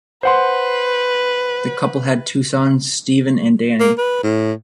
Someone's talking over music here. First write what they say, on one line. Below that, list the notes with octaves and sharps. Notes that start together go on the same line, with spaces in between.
The couple had two sons, Steven and Danny.
B4 C5 F#5 C6
A#3
B4
A2